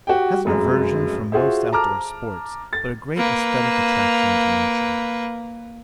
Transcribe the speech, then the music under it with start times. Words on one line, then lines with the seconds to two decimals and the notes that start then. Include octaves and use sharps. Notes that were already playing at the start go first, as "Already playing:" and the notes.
Has an aversion from most outdoor sports, but a great esthetic attraction to nature.
0.07 F#4 G4 G5
0.45 F1 F#2 G#3
1.32 F4 F#4 G#4 C5 E5
1.72 A5 A#5 D6 F6
2.73 A6
3.17 A#3 B4